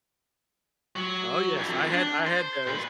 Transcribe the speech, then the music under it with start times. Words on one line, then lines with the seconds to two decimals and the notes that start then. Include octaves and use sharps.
Oh, yes, I had I had those.
0.96 F#3
1.57 F2 E3
1.90 D4
2.27 C5
2.67 A#2 B4